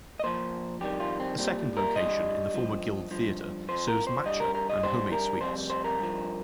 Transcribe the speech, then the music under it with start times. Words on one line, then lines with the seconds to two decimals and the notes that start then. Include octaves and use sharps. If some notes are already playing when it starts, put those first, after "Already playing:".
A second location in the former Guild Theatre serves matcha and homemade sweets.
0.20 D#5
0.24 A#2 F3 C5
0.81 F2 D#3 G3 G4
1.00 F4
1.20 C4
1.39 A#2 G3 C4
1.77 A#4
1.96 G2 G3 D#5
2.54 G2 F3
3.11 G2 F3
3.68 F2 F3 C5
3.88 A#4
4.07 C5
4.25 G2 G3 D#5
4.40 A#4
4.55 A#4
4.69 D#5
4.83 G2 G3 C5
5.12 A#4
5.41 F2 C3 G3 C5
5.70 C5
5.84 A#4
5.99 G2 F3